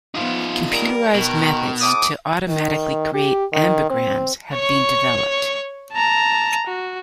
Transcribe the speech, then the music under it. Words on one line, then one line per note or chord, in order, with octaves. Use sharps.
Computerized methods to automatically create ambigrams have been developed.
F3 B3 D#4 F4
G3 A#4
B2 D#3
A2 D6 D#6
D#3
G4
D#3
C4
C#5 C#6
A5 A#5
F#4